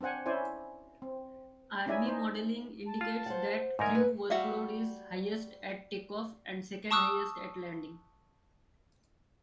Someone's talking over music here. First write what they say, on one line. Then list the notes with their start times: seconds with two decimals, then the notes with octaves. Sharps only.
Army modelling indicates that crew workload is highest at takeoff, and second-highest at landing.
0.01 C4 D4 C5 F#5 G#5
0.26 C#4 E4 C5 D5 G#5
1.02 C4
1.86 C#4 D#4 E4 D5 E5 G#5
2.06 D#4 C5
2.86 A5
3.01 F4
3.26 C5 F#5
3.79 D2 G#2 D#4 A#4 E5 G#5 A#5
3.95 B4
4.30 G3 F#4 E5 F5
6.91 A5 C#6 D#6 E6 F#6